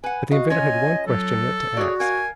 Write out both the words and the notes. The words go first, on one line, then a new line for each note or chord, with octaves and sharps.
But the inventor had one question yet to ask.
B4 F#5 G#5
F#4 D#5 F5
C#4 F4 C#5 D#5 G#5
F#3 A4
F#4 G#4 C#5 D5
A#4 F5 G#5